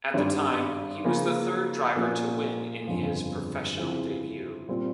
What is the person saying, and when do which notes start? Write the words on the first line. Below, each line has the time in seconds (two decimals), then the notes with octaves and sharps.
At the time, he was the third driver to win in his Professional debut.
0.14 G#1 G2 G3
1.04 C#3 F3 A#3
1.96 A#2 F3 A#3 C#4
2.87 G1 F2 C#3 F3 G#3
3.77 C#3 F3 C4 E4 G#4
4.68 A#2 G3 C4 F4